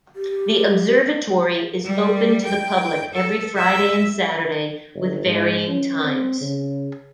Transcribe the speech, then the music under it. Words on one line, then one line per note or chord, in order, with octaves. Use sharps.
The Observatory is open to the public every Friday and Saturday, with varying times.
G4
G3
G5
A4
E5
G1
G#2
C#4
C4
C#3